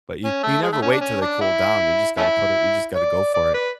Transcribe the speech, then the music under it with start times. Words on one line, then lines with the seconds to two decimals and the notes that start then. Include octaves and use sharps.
but you you never wait till they cool down, you just gotta put it you just gotta go for it.
0.25 C#4
0.43 A3
0.63 G#3
0.73 A3
0.82 C#4
0.92 D4
1.01 C#4
1.22 D4
1.41 E4
2.18 A3 C#4 E4
2.95 D5
3.34 D5
3.54 B4